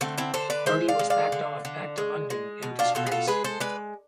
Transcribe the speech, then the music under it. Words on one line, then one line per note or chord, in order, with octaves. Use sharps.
Bertie was packed off back to London in disgrace.
D3 A3 C4
C4 E4
D3 A4 C5
B4 D5
G#3 C5 E5
D5 F5
G#3
D5 F5
D3
D3
G#3
G#3
B2
D4 F4
B2 F4 A4
G#4
F4 A4
G#3 G#4 B4
A4 C5
G#3 B4 D5